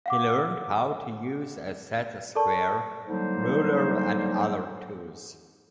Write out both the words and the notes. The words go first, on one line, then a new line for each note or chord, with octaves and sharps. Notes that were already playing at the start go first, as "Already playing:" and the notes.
He learned how to use a set square, ruler and other tools.
F5 F#5 D6
A4 A#4 D5 A5 C#6
D3 F#3 G3 A#3 D#4 C5